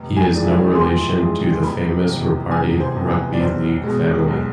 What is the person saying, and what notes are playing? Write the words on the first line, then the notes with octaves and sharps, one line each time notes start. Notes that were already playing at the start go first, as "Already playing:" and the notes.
He is no relation to the famous Ropati rugby league family.
Already playing: F1
G#5
F2 E3 G#3 D5
E5
F1 C6
F2 E3 G#3
F1 B5
E2 C3
F1 G#5
C5
E2 C3
B4
D5
B1 C5
B2 G#3
B1